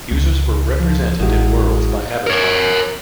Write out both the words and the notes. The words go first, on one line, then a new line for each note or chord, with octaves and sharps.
Users were represented in worlds by avatars.
C#2
F3
A1 G#3 E4 F#4
A#4 C#5